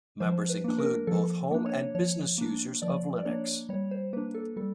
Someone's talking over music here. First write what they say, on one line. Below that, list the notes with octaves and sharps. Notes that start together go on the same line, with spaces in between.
Members include both home and business users of Linux.
F3 C5
B4
A#3 D4
A#4
F3 A4
A#3 D4
C#5
F3 C#5
A#3 D4
F3 D5
D5
A#3 D4 C#5
G3 C#5
C5
A#3 D4 B4
A4
G3 A4